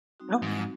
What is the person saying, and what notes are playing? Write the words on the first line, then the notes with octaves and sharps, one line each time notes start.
Oh, yeah.
G3 C4 D#4 F#4
G#2